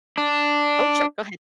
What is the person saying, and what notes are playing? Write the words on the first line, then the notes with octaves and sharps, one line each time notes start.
Oh sure, go ahead.
D4